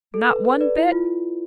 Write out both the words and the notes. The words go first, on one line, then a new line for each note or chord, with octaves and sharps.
Not one bit?
A4
B4
B4
B4 D5
E4
F4